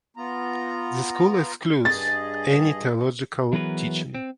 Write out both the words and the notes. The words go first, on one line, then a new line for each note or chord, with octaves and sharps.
The school excludes any theological teaching.
B3 F4 A#5
G2 G#4 D#5 A6
E3 F#3 B3 G#4 A#4 B4
C4